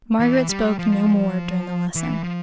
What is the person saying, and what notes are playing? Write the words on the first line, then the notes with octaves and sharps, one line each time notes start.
Margaret spoke no more during the lesson.
E3
G3
F3
E3
F3